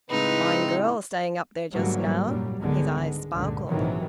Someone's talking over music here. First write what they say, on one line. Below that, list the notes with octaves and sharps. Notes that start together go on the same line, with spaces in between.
"Fine girl staying up there just now!" His eyes sparkled.
A2 C#3 G#3 C4 D#4 B4
G#2 D3 F#3 G3 A3 A#3
F#2 A#2 F#3 G3
C#2 G#2 D3 D#3 G#3 B3
G#3
C#2 G2 A#2 D3
A#1 G#2 C3 D#3 E3 F#3